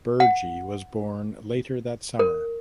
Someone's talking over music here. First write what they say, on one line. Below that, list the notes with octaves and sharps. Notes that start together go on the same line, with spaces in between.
Burgi was born later that summer.
F#5
A#4